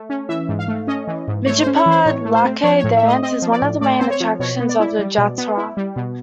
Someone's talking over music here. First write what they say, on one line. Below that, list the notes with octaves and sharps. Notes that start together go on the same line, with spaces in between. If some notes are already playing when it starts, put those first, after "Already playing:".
Majipa Lakhe dance is one of the main attractions of the jatra.
Already playing: A3
C#4
E3 E5
G#2
F5
A3
C#4 D#5
E3
G#2
A3 C#5
C5
C#4
C#5
E3 C5
A2 C#5
A3
C5
C4
F3 C#5
C#5
A2
E5
A3 D#5
C4 D#5
F3
D5
A2
A3 D5
C4 C5
C#5
F3
B2 C#5
B3
D5
E4
G3
B2
B3
E4
G3
B2